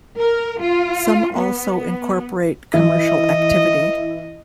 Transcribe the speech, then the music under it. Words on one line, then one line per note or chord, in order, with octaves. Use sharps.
Some also incorporate commercial activity.
A#4
F4
B3
E3 E4 D#5